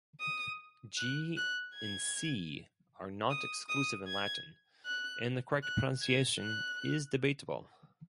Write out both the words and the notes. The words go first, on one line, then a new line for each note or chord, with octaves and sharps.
G and C are not exclusive in Latin and the correct pronunciation is debatable.
D#6
F#6
F#6
G#6
D#6
D#6
G#6
F#6
F#6
G#6
F#6